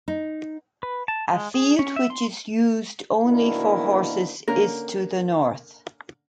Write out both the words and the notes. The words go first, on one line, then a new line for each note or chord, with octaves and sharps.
A field which is used only for horses is to the north.
D#4
B4
A5
G#3
G#4
C#4
E5
C6
D2 B2 D#3 A#3 D4 E4
D3 A#3 C#4 A#4